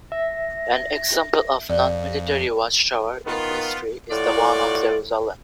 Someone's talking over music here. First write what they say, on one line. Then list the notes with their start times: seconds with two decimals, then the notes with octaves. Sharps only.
An example of nonmilitary watchtower in history is the one of Jerusalem.
0.12 E5 A#6
1.69 F2 D5 F5
3.26 D#3 B3 F4
4.11 A2 F4 F#4 D5